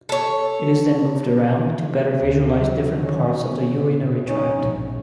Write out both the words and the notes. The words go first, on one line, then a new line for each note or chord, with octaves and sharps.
It is then moved around to better visualise different parts of the urinary tract.
A4 C#5
D2 C#3
E3 F#3
D#3 C#4
A#2
C#4 D#4
A#1 G#2